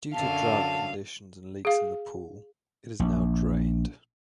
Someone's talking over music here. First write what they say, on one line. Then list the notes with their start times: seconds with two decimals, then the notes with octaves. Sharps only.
Due to drought conditions and leaks in the pool, it is now drained.
0.14 F#2 D3 F#3 F5 A5
1.65 G#4 F5
3.00 A#1